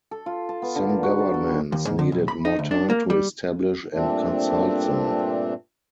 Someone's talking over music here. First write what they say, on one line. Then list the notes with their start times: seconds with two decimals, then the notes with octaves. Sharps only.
Some governments needed more time to establish and consult them.
0.11 A4
0.26 F4
0.49 A5
0.62 B3
0.76 D3
0.89 A#4
1.03 F#4
1.20 A5
1.34 A4
1.47 G3
1.72 D#2
1.87 G#2
1.99 D3
2.12 B1
2.28 B5
2.45 D#4
2.59 D2
2.71 D4
2.90 A#3
3.10 G3
3.93 G2 A#2 A3 C4 D4